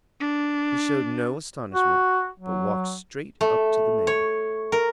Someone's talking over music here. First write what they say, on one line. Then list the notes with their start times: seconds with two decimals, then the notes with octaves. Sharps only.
He showed no astonishment, but walked straight up to the man.
0.21 D4
1.73 F#4
2.40 F#3
3.41 A3
4.07 C#5
4.72 A#4